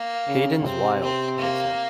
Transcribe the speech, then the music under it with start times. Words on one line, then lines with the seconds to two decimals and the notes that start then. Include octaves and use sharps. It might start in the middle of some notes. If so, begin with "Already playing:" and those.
"Hayden's wild," they said.
Already playing: A#3
0.28 C#3
0.65 C3 C4
1.02 C4
1.39 A#3